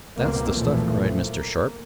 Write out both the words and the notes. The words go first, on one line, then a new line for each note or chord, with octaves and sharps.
"That's the stuff!" cried Mr. Sharp.
C#2 B2 A#3 C4
B1 E2 A#2 E3 F3 A3
A#3